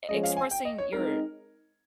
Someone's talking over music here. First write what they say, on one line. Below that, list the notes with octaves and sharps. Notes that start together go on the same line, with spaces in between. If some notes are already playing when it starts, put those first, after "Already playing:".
e expressing your
F3 G#3 C#4 G#4 C#5 D#5
F5
G#5
G5
D#5
C#5
G#3 C4 D#4 A#4